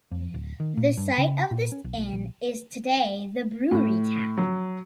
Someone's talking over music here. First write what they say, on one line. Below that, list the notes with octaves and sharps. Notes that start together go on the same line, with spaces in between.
The site of this inn is today the Brewery Tap.
F2
D1
D#3
A#2
G2
C#3
A#2
C#4
B1
B1
A#1
A2
F#3